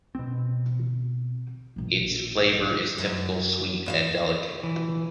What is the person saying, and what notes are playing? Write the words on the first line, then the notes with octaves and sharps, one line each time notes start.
Its flavor is typical, sweet and delicate.
B2 C4
A#1 D#3
F#2
E2 E5 F5
E3